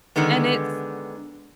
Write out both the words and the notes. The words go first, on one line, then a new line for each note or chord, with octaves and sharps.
And it's
D3 D#3 G#3 B3